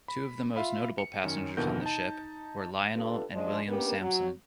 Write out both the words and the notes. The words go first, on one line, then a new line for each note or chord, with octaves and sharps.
Two of the most notable passengers on the ship were Lionel and William Samson.
B5
F4 E5 F5 B5
C#7
F#2 D#3 C#4
D#2 B2 D3 E3 A#4 G6
D#4 A5
D4 F4 G4 A4 B4
F3 G#3 D4
A#3 B3 C#4 D4 G4 A#4
F#3 F#4